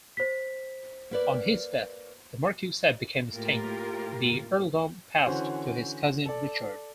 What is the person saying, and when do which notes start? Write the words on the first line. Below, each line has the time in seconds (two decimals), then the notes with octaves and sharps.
On his death the marquessate became extinct; the earldom passed to his cousin Richard.
0.17 C5 B6
1.11 A#3 B4 D5
3.33 A2 A#3 F4 G4 A#4
5.26 D3 E3 C#4 F#4 C5
6.25 A4 D5